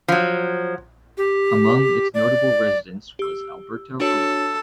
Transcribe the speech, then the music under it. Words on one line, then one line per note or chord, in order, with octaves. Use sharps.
Among its notable residents was Alberto Arroyo.
F3 F#3
G4
D5
G4 E6
D4 F#4 A4 C#5